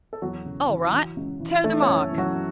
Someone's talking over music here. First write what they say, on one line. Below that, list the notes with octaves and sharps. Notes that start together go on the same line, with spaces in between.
"All right, toe the mark!"
A4
E2 F#3 F#4
C#3
E3
E3
C#2
E3
E3 A3 A4
C#4 C#5
F#2
E3
F#3 F#4